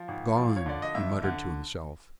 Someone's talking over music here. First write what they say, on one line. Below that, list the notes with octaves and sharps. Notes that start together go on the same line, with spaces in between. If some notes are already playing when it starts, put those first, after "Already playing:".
"Gone!" he muttered to himself.
Already playing: F3
G#1
F3
C#5
D3 D5
D#5
F2 E5
D3